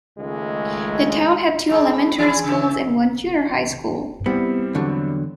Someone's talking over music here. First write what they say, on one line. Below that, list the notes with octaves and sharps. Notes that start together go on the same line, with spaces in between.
The town had two elementary schools and one junior high school.
C#2 D#3 G#3 A3
A2 G#3
E3 E4 G#4
C#3 E3
G3 B3 C4 E4
E2 D3 F#3